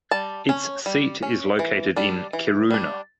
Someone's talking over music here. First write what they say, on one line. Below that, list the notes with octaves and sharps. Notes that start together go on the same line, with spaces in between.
Its seat is located in Kiruna.
G3 A5
C#4
G3
C#4
E3
G3 D4
E3
G3 D4